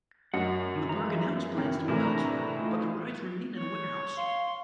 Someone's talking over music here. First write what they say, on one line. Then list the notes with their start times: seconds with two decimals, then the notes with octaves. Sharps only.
The park announced plans to move elsewhere, but the rides remained in a warehouse.
0.34 F#2 F#4 D#5 F#5
0.89 E3 G#3 F4 A#5
1.58 E3 C4 C#4 E4 A#4 C#5
1.88 A2 C3 E3 C4 D4 E4 A#4 A#5
2.56 A3 D#4 F4
3.57 C#5
4.17 F5 C6